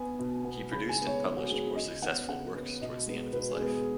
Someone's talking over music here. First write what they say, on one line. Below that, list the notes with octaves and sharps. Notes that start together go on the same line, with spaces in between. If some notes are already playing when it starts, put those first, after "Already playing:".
He produced and published more successful works towards the end of his life.
Already playing: B3 G#5
B2
B3
C#3 B5
G#5
G#3 B3
C#5
C#3
F#4
G#3 B3 G#4
C#3 D#5
B3 F#5
C#3 F#5
B3
B2 D#5
G#3 B3
B2 B4
G#4
G#3 B3
G#4